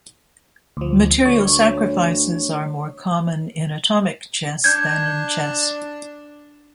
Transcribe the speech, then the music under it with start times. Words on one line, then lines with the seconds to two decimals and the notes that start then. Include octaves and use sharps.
Material sacrifices are more common in atomic chess than in chess.
0.77 D2 F3
1.25 D2 C#5
4.64 D4 G6 G#6